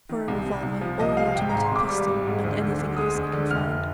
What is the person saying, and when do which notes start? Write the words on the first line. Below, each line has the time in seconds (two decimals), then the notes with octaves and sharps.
"For a revolver or an automatic pistol and anything else I can find."
0.09 D#3
0.28 C2
0.46 C3
0.63 C2
0.81 F3
1.00 C2 D#5
1.17 C3 F5
1.35 G#1 G5
1.49 G#2 A#5
1.62 C6
1.72 G#1 D6
1.89 G3
2.07 G#1
2.26 G#2
2.43 D2
2.62 D3
2.79 D2
2.97 G#3 D#6
3.15 D2
3.33 D3
3.51 F1 F6